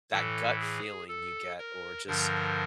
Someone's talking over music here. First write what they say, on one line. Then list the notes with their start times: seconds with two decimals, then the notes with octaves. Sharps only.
that gut feeling you get or just
0.12 A2 E3 A4
0.60 G#4
1.09 A4
1.58 A#4
2.07 G2 D3 F3 A#4